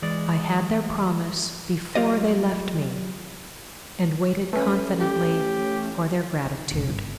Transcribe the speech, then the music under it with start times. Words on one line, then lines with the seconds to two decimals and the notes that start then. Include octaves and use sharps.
I had their promise before they left me, and waited confidently for their gratitude.
0.02 E3 G#3 D5
1.95 F#3 F4 G4 D5 D#5
4.53 A3 C#4 B4
5.00 G4
6.46 D#4
6.71 E1 C2
6.88 G1 F4